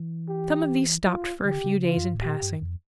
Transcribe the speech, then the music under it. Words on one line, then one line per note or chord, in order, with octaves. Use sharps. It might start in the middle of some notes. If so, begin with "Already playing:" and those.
Some of these stopped for a few days in passing.
Already playing: E3
G4
F4
D3 G4
C#3
F4
F2
G2
A2
A#2 G4
G2
F2